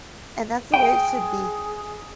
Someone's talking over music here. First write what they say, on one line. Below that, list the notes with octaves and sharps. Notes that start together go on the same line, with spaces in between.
And, that's the way it should be.
G#4 G5